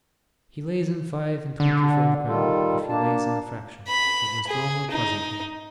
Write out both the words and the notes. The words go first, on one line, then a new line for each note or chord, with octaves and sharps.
'He lays in five and twen-ty foot of ground, if he lays in a fraction,' said Mr. Omer, pleasantly.
D3
D#3 G3 F4 A4
A#3 D4 A5
B5
G#4
D#4